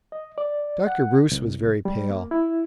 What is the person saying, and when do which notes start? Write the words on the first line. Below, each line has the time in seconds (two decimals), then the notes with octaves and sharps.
Dr. Bruce was very pale.
0.12 D#5
0.38 D5
0.87 F#5
1.31 C2
1.85 G3
2.10 A#3
2.31 E4